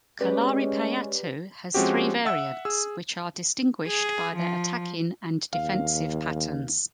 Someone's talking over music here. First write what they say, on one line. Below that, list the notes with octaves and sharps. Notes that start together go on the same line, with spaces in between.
Kalaripayattu has three variants, which are distinguished by their attacking and defensive patterns.
G#3 C#4 G4 B4 D5
F3 G#3 C4 C#4 F#4 G4
E5 F#5 E6
G#4 E6
G#4
F3
D#2 F5